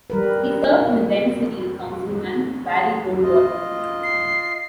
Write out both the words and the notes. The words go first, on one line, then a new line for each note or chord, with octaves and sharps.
He served with then-City Councilman Barry Goldwater.
G3 A#4 B4
G#4
F4 D#5
C7